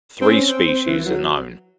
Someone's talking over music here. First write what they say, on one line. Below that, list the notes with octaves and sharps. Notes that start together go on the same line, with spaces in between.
Three species are known.
C4
C#4
C4
C4
E3
E3
F#3